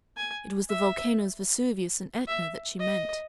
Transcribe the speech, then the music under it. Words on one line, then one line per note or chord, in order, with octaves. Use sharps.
It was the volcanoes Vesuvius and Etna that she meant.
G#5
E5
E5
D#5